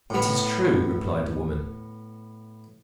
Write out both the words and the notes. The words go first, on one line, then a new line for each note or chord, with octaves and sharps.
"It is true," replied the woman.
A2 B3